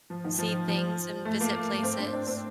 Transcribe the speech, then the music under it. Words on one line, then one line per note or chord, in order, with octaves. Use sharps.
see things and visit places.
F3
D#3
F3
F3
A3
A#3
C4
D4
D4
C4